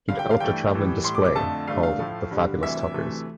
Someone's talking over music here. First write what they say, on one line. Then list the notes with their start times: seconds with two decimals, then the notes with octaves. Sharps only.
He developed a traveling display called "The Fabulous Tuckers".
0.09 G2 D3 G3 F5
0.19 G5
0.31 F5
0.40 G2 E3 A3 G5
0.72 A2 E3 G3
1.04 A2 G3 C6
1.15 D6
1.25 D6
1.36 F2 D3 F3 A3 A5
1.68 G2 D3 A3 F5
1.83 F5
1.99 A2 F3 A3
2.31 G2 D3 G3
2.62 D2 C3 E3 G3 E5
2.94 D2 C3 E3 A3